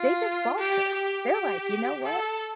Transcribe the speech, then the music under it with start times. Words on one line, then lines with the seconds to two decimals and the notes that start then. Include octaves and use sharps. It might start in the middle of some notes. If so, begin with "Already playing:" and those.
they just falter. They're, like, you know what?
Already playing: F4
0.58 G4
0.94 G4
1.31 G4
2.04 A4